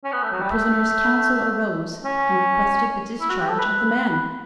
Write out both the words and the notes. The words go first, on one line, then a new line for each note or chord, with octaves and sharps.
The prisoner's counsel arose and requested the discharge of the man.
C#4
B3
A3
F#3
G3
A3
C#4
E4
F#4
G4
A4
B4